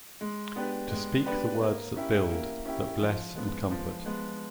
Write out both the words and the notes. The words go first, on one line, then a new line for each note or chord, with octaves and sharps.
To speak the words that build, that bless and comfort.
G#3
B3 D4 G4 B4
G#3
B3 D4 G4 B4
A#3
C#4 E4 G4
A#3
C#4 E4 G4
F3
G#3 B3
F3
G#3 B3